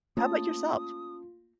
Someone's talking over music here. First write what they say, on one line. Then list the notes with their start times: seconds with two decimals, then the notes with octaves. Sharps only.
How about yourself?
0.17 A3 A#3 C#4 F4 A5 D#6